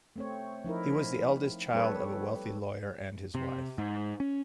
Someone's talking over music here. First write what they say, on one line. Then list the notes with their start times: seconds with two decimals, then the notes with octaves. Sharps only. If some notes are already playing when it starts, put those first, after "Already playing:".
He was the eldest child of a wealthy lawyer and his wife.
0.16 A3 C4 C#5
0.64 F3 D#4 E4 A#4
1.73 G3 C4 A4 B4 C#5
3.35 C3
3.78 G#2
4.20 C#4